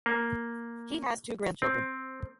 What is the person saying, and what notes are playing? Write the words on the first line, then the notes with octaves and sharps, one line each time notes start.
He has two grandchildren.
A#3
C4